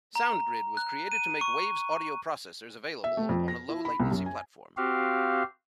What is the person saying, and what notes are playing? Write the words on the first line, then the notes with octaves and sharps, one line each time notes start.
SoundGrid was created to make Waves audio processors available on a low-latency platform.
A#5
F#6
D#7
C#6
E5
A3
F2
A#6
E4
B5
C2
F#2
G#5
C4 F#4 G4 F5